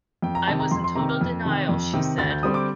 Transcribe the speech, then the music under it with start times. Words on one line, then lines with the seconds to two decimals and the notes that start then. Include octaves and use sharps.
"I was in total denial", she said.
0.22 F2 G5
0.35 A#5
0.48 C3 D#3 A5
0.60 A#5
0.71 F2 C6
0.84 C6
0.96 C3 D#3 A#5
1.09 F6
1.21 F2
1.45 C3 D#3
1.69 F2
1.94 C3 D#3
2.18 D2 A6
2.30 G6
2.43 D3 G3 C4 D#6
2.54 D6